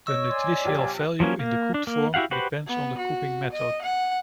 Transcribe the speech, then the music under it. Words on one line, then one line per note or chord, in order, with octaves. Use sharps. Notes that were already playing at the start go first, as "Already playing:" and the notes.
The nutritional value in the cooked form depends on the cooking method.
C#5 D#5 C#6 E6
D5 G#5 C6
A#1 G4
F3 F#3 A#3 C#4
A#3
D4
A#3
E4 F#4 G4 F5 F#5
F#4 G4 B4 C5 B5
B3
F#4
D#5
F#5